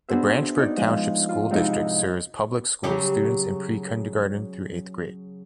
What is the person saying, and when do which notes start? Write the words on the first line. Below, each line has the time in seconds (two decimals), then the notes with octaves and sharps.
The Branchburg Township School District serves public school students in pre-kindergarten through eighth grade.
0.09 B3 D4 F#4 G#4 C5 E5
0.58 D#4 D5
0.77 F3 G#3
1.29 F4
1.51 G#2 C3 F3 C4 D#4 E4
2.84 C#3 F#3 G4